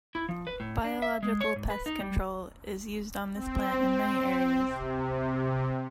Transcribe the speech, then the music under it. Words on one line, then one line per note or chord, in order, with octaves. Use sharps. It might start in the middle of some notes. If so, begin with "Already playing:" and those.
Biological pest control is used on this plant in many areas.
E4
F3
B4
A2
D4
E5
G#3
C#5
G#2
B4
D#4
G3
C4
C3